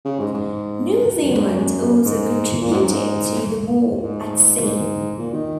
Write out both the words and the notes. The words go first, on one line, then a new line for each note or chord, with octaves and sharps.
New Zealand also contributed to the war at sea.
C#3
G#2
G#2
F#2
G#2
F#2
G#2
A#2
G#2
F#2
G#2
A#2
G#2
G#2
A#2
D#3